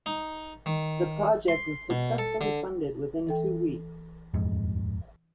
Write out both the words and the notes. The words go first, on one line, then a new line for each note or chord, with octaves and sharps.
The project was successfully funded within two weeks.
D#4
D#3
C6
B2
A4
D3
E3 A4 G5
D#1 F2 G#2